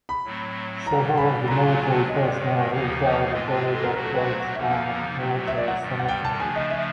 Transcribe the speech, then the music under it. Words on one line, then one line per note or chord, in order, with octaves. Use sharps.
Several of the military personnel who died are buried in Grangegorman Military Cemetery.
B5
A2 F#3 A3 C4
A2 E3 G3 A#5
B5
A#2 F#3 A3 D4 F4 A#5
G#5
G#5
A5
G2 D#3 G#3 D#5
D5
C#5
D#2 C#3 F3 A#3 D#4
C#5
C#5
G#2 E3 G#3 C4 F4 D#5
A5
D#5
A4
A#4
A#2 F#3 A3 D4 F#4 A#4
A4
B4
C5
F#5
F2 D3 F3 A#3 D#4 E5
F5
A#2 F#3 A3
E5
D5
F#5
G2 D#3 G3
F#5
G5
A5
C#3 F3 A3 D4 G#5
D#5
E5